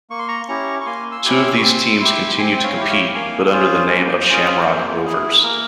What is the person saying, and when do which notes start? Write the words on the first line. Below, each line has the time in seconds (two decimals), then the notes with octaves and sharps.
Two of these teams continue to compete, but under the name of Shamrock Rovers.
0.10 A#3 C#6
0.19 C6
0.28 A#5 C#6
0.48 C#4 E4 G4 A#5 C#6
0.81 C#6
0.86 A#3 G#5 C6
1.12 C6 E6
1.25 C#4 E4 G4
1.37 C6 E6
1.58 C#6
1.62 C4 C6 E6
2.00 E4 G4 C6 E6
2.38 C4 G#5 C6
2.57 G5
2.64 C#5 F5
2.77 E4 G4
2.90 C#5 F5
3.14 A#3 F5 G#5
3.53 C#4 F4 G#4 C5
3.91 A#3
4.29 C#4 F4 G#4
4.67 A#3
5.05 E4 G#4
5.43 A#3 A#4